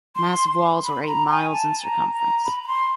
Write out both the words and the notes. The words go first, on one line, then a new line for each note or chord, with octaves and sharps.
Massive walls were eight miles in circumference.
C6
B5
A#5
G#5
A5
A#5
A#5
B5
B5
C6